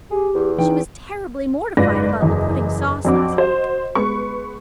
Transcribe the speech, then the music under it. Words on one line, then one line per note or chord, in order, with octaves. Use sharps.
She was terribly mortified about the pudding sauce last week.
G4 G#4
E2
E3 D#4 G5
F#1 G#2 F4 B4 D5 A#6
F#1 E2 D#5
F2 F#3 C4 D4 F#4 D6
F#4 C5 D#5
G#3 B3 B4 C#6